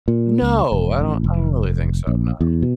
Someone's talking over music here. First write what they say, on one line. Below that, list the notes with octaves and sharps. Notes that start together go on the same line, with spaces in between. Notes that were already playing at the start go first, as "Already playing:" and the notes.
No, I don't I don't really think so, no.
A#2
C#2
E1
A1
F1
A#1
E2
B2